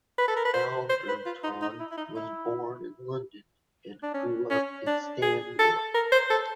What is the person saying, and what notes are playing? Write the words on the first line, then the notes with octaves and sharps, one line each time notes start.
Alderton was born in London and grew up in Stanmore.
B4
A4
A#4
B4
C5
C5
B4
F4
D#4
D#4
E4
E4
D#4
E4
D4
C#4
C#4
D4
G#4
A4
A#4
C5
A4